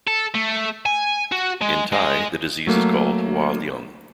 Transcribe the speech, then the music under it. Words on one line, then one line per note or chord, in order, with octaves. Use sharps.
In Thai, the disease is called "Hua leung".
A4
A3
G#5
F#4
G#3
G#3
F#3 A3 A#3